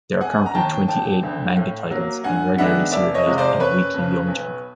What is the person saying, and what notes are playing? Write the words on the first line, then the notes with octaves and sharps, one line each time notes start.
There are currently twenty-eight manga titles being regularly serialized in "Weekly Young Jump".
E1 F#5 G#5
A#5
D#2 D#3 G5 A5
E1 G5 A5
D2 D3
A2
F#3 A#3
G2 F#5 G#5
D#3 G#3 B3 D4 E5 F#5
F1 D5 E5
C#5 D#5
F2 C3 F3 G#3
C5 D5
F#1 B4 C#5
F2 C#3
B1